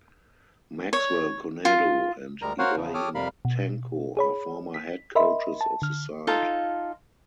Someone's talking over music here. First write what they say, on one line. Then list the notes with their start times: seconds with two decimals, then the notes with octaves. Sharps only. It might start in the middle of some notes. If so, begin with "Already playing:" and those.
Maxwell Konadu and Ibrahim Tanko are former head coaches of the side.
0.93 C#5
1.65 F4
2.42 D2 G3 G#3 A#4 A#5
2.59 F#4 A#4 C5 C#5 F5 F#5
2.76 E2 C#3 F3
2.94 G4 A4 C#5 D6 D#6 F6
3.15 F2 C3 G3 A#4 F5 B5
3.45 B2
4.17 G#4 C#5 B5
4.74 B6
5.15 A#4 D#5 E5 B5 C6
5.61 A5
5.82 D3 F6
6.27 D#4 F4 A4 F5